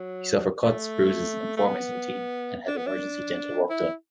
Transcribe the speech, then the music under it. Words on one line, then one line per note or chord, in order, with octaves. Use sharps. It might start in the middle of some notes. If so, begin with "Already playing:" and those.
He suffered cuts, bruises, and four missing teeth and had emergency dental work done.
Already playing: F#3
A3
A3
B3
D4
B3
D4
E4